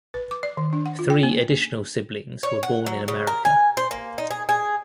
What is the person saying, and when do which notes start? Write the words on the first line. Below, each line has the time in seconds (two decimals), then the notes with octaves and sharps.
Three additional siblings were born in America.
0.14 B4
0.31 D6
0.43 D5
0.57 D#3
0.73 D4
0.86 F#5
0.99 F4
1.10 G5
1.23 A#3
2.43 C#5
2.63 F#5
2.86 F#3
3.08 C#3
3.27 A#4
3.45 G#5
3.77 C5
3.91 A#3
4.18 D#4
4.31 G#4
4.49 G#4